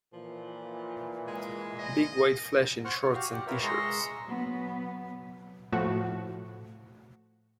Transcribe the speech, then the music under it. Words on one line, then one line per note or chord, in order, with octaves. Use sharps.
Big white flesh in shorts and T-shirts.
A#2 E3 F3
G#3
D#5
C5 F#5 C#6 F6
C#5
F#4 G4 F5
G4 D5 F#5
F4 A#4 B4 C#5 E5
G#3 D#5 A#5 C6 C#6 E6
F#3 B3
A2 F3 F#4